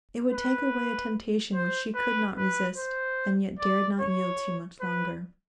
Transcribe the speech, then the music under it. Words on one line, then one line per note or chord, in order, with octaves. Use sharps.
It would take away a temptation which she could not resist, and yet dared not yield to much longer.
B4
C5
B4
B4
C5
D5
C#5
B4